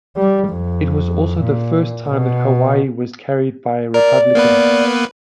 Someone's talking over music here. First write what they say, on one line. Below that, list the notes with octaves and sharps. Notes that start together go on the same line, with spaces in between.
It was also the first time that Hawaii was carried by a Republican.
G3
F2
A#2
B2
A#4 D5
A#3 B3 B4